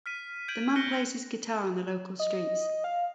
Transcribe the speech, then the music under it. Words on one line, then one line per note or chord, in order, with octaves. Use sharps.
The man plays his guitar on the local streets.
F6 B6 D#7
G6 G#6 D7 D#7 F#7
F#6 A#6 C#7 D#7 G7
D#5
F5